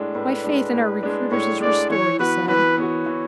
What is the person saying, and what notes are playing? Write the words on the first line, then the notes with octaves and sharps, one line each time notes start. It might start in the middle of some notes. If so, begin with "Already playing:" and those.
"My faith in our recruiters is restored," he said.
Already playing: A2 G#3 D4
A2 B4
G#3 D4
A2
G#3 D4
A2 C#5
G#3 D4 D5
E3 C#5
B3 F#4 B4
E3 B4
B3 F#4 C#5
E3